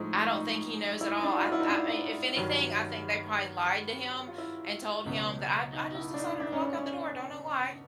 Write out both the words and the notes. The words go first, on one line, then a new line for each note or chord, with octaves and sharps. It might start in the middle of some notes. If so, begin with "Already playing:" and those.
I don't think he knows at all, I I i if anything, I think they probably lied to him and told him that I d I just decided to walk out the door, don't know why.
Already playing: A2 F3 G#3 D#4
D#4
E4
D#4
D4
F#4
F4
E4
D#4
D4
G2 D#3 F#3
F4
E4
C#2 B2 F#3
D#4
E4
D4
D#4
D4
C#4
C#4